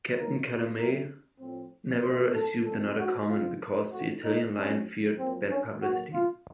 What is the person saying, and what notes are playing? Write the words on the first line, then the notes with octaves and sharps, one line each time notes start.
Captain Calamai never assumed another command because the Italian Line feared bad publicity.
D#2 D#3 A#3 A#4
A#2 F#3 A3 C4 A#4
A2 F3 C4
A#2 F3 A3 C4 C5
A4
F2 C3 F3 C4 A4
F#4
F2 C#3 F3 C4 F4
F2 C3 F3 A3 F#4
D#4
A#2 F#3 C4 C#4
F#2 F3 A#3 C4
C#4
A2 F#3 A#3 F#4
F4